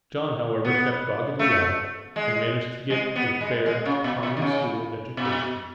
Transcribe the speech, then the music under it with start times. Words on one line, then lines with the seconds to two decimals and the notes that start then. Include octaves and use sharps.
John, however, kept doggedly at it, and managed to get a fair, common-school education.
0.65 B3
1.39 A3
2.16 G#3
2.90 G#3
3.16 B3
3.41 G#3
3.66 G#3
3.86 C#3
4.04 B2
4.23 B2
4.37 D#3
4.42 C#3
5.17 B2